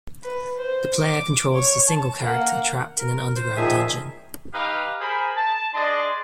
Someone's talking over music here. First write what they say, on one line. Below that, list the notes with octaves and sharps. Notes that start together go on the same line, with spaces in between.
The player controls a single character trapped in an underground dungeon.
B4
C5
D6
C#5
A5
A#3 F#5
A#4
C5
A#2 D#3 F3 G#4 E5 G#5
D#4 G4 B4 F5
G#4 A#4 C5 B5
A5
D4 G#4 D5 D#5 C6